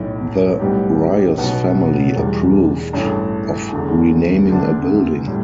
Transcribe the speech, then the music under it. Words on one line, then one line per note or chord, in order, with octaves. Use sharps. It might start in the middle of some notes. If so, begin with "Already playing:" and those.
The Rios family approved of renaming a building.
Already playing: B1 A2 A3
B1 A2 G3 B3 G4
B1 B2 B3
E1 E2 E3 G3
A1 G2 E3 A3
E1 E2 D3 A3
D2 D3 B3 D4
A2 G3